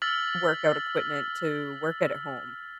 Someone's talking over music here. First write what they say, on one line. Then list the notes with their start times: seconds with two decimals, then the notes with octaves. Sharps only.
workout equipment to work at home
0.02 E6 F6 A6 B6 F#7